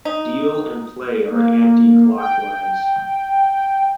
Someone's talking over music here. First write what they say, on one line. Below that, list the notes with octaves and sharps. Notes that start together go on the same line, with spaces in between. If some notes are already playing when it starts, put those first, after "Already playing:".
Deal and play are anticlockwise.
D#4
A#3
G5